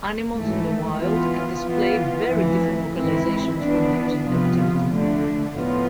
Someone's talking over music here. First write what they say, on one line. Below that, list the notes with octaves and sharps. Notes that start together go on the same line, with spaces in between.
Animals in the wild can display very different vocalizations from those in captivity.
G#2 E3 A3
E3 B3 F4
E3 B3 F4
F2 E3 A3
G#2 E3 G#3 C4 E4
E3 B3 D4
C3 F3 B3 F4
D3 A3 D4
A2 F3 B3 F4